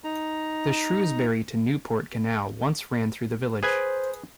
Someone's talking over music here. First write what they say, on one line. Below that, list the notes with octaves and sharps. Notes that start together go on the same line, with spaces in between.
The Shrewsbury to Newport Canal once ran through the village.
D#4 A#5
G#4 B4 C5 G#5